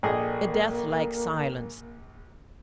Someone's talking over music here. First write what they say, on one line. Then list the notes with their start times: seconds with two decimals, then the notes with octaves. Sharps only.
A deathlike silence.
0.03 A#1 A#3 G#4 A4 D5 D#5 G5